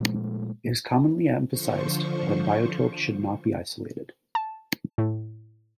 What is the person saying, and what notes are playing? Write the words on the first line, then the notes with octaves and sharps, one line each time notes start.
It is commonly emphasised that biotopes should not be isolated.
A#2 F3 G#3 A3
D3 F3 C5 C#6
A5
A2